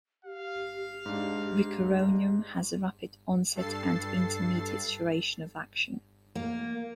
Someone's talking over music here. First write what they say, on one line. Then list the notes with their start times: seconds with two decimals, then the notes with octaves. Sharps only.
Rocuronium has a rapid onset and intermediate duration of action.
0.25 G4 F5
1.06 G#2 D4
3.55 G2 A4 A6 C7
6.35 A#3